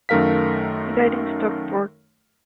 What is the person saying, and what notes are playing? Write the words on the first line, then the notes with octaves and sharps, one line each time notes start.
He died in Stockport.
F#2 D#3 A3 A#4 F5 B6